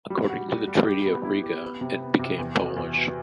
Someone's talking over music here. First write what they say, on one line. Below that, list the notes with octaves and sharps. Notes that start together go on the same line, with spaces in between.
According to the Treaty of Riga, it became Polish.
G3
F#4
G3
G3
G4
B3
E4
G4
B3
C3
B3
C3
E2
B2
E2
B2